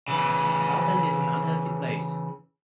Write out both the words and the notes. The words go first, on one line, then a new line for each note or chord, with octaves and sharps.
South End is an unhealthy place.
C#3 E3